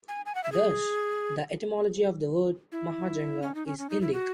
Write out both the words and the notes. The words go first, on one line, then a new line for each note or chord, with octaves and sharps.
Thus, the etymology of the word "Mahajanga" is Indic.
G#5
G#5
F#5
E5
G#4
E4
C#4
D#4
C#4
C#4
D#4
E4
F#4